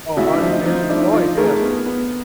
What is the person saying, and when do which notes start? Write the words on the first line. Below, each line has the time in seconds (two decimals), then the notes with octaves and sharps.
Oh, washing dishes. Oh, yeah.
0.17 C#2 E4 F#4
0.33 D4 E4
0.41 F3
0.50 D#4
0.65 F3 D#4
0.89 F3 D4 E4
1.13 F3 D#4 F4
1.37 A3 G#4 A#4
1.61 B3
1.86 B3